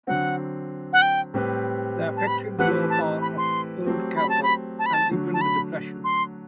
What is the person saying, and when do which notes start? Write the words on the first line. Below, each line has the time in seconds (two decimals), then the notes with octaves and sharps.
The affected the lower part of old Carver and deepened the depression.
0.07 D3 F#3 C4 F#5
0.93 F#5
1.02 G5
1.34 A2 G3 C4 G4 B4
2.17 A5
2.27 B5
2.59 E3 A3 C4 G4 B4 F#5
2.90 A5
3.22 B5
3.38 C6
3.85 F#3 A3 C4 G4
4.17 B5
4.29 A5
4.43 B5
4.79 A5
4.86 B5
4.93 A5
5.11 D3 F#3 A3
5.34 A5
5.41 B5
6.04 C6